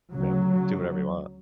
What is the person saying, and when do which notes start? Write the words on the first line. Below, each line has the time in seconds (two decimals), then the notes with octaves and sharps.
you know, do whatever you want.
0.12 D2 C#3 F#3